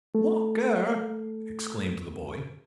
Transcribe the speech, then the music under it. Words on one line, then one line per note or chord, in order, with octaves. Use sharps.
"Walk-ER!" exclaimed the boy.
A3 A4